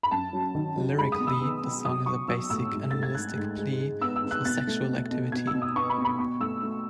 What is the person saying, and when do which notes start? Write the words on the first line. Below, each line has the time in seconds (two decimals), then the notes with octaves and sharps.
Lyrically, the song is a basic, animalistic plea for sexual activity.
0.03 B5
0.11 F#2 A5
0.33 F#3
0.55 D#3
0.76 F#3
0.98 G#3 B5
1.12 D#6
1.20 B2
1.27 E6
1.41 B3
1.63 B2
1.85 F#3 D#6
2.06 F#3 C#6
2.28 F#3 E6
2.50 A2 E6
2.71 G#2
2.91 A3 A6
3.03 G#6
3.15 G#2 F#6
3.37 G#2
3.59 G#3
3.80 G#3
4.02 B3 E6
4.16 E6
4.24 B3
4.31 F#6
4.45 B2 A6
4.67 A3
4.89 B2
5.11 B2
5.32 B2 G#6
5.47 E6
5.54 B2
5.62 D#6
5.76 B3 C#6
5.90 B5
5.98 B2
6.05 B5
6.19 B2 C#6
6.40 A3 E6
6.63 A3